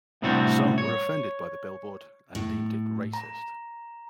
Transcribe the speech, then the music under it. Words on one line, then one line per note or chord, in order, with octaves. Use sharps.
Some were offended by the billboard and deemed it racist.
A2 C3 G3 C4 D4 F#4
C#5
A2
A#5